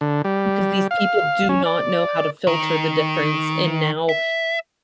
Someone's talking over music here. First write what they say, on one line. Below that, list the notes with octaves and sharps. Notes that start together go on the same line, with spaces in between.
‘cause these people do not know how to filter the difference and now
D3
G3
F5
C#4
D5
D#3
E5